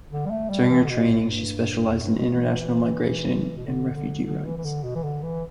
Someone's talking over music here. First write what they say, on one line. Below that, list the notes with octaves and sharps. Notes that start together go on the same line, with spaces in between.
During her training she specialised in international migration and refugee rights.
D3
G3
A3
G3
E3
D3
B2
A2
G2
E2
G2
B2
E3
B2
D3
D3
D3
E3
E3
D3
B2
E3
D3
E3